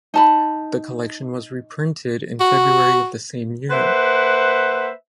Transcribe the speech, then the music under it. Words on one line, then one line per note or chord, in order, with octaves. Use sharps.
The collection was reprinted in February of the same year.
D#4 A5 B5
F#4
A#3 B4 C5 E5 F#5